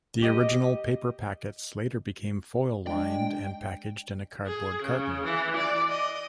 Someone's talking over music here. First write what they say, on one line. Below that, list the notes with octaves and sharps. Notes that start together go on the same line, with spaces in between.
The original paper packets later became foil-lined and packaged in a cardboard carton.
G4 D#5
G#3 D4 G5
G#4
C#3
E3
D5
D#5